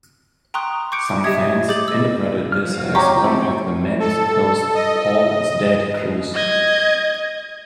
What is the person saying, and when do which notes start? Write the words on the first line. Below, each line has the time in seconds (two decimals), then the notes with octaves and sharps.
Some fans interpreted this as one of the many supposed "Paul is dead" clues.
0.54 G5 A#5 C6 C#6 D#6 F#6
0.92 C#6 D6 G6 C#7 D7
1.24 G4 D#5 E5 D#6 G#6
1.68 G#4 D6 G6 A6 F#7
1.88 D#5 E6
2.52 F3 F6
2.74 F#4 F5
2.95 G4 C#5 A#5 C#6
3.24 C4 A4
3.43 G5 C6 C#6
4.00 A4
4.75 D#5
6.35 D#5 G#6